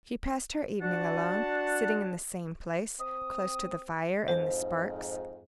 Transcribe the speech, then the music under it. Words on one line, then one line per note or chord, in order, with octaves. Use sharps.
She passed her evening alone, sitting in the same place, close to the fire and the sparks.
D4 F#4 F#5 A5
C4 D#6
F2 G#2 C5